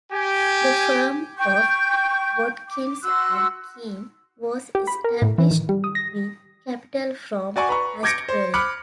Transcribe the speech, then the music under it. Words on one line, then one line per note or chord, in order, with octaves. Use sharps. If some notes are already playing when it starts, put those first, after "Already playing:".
The firm of "Watkins and Keen" was established with capital from Astbury.
G4 G#5
G5 C#6 G6
D6
F#4 C6 E6 F#6
G4
B5
A#4
A2
E3
D#3
G3
D#6
A#6
F#4 D5 G#5 C#6
B4 A#5 C#6
D6 G6 G#6 A#6 C#7 D7
C5
B5 D6 F6 F#6 C#7